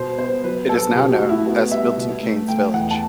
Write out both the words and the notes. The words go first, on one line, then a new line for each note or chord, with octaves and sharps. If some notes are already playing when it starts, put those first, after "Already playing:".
It is now known as "Milton Keynes Village".
Already playing: B2 C5
B3 C5
F#3 B4
B3 A4
B2 G4
F#4
A3
E4
B3 F#4
G3 E5
B2
A3
A3 G5
E2 F#5
A5